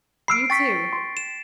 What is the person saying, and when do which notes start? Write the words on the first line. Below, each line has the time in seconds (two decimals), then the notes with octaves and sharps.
You, too.
0.28 B5 E6 F6 C7 D7
0.50 G5 C#6 A6 B6
0.93 C6
1.17 E7